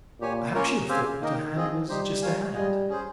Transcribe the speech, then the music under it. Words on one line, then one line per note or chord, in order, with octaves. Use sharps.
Perhaps you have thought that a hand was just a hand.
A#2 G4 C#5 G#5
A#3 C#4 F4 A#4 C#5
C#3 C4 G4 C5 F5 G#5
D#3 A#3 D#4 A#4 D#5 G5
F3 C4 F4 G#4 D#5
G3 D#4 G4 C5
F4 A#4 C#5 F5 G#5
G3 F4 G#4 D#5 G#5
C#4 G#4 C5